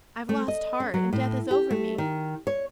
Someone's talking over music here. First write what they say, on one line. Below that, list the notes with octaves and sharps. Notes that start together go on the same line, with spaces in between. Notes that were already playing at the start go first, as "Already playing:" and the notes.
I've lost heart, and death is over me.
A3
D#5
C#4
F#3
A2
G4
A3
D#3
C#5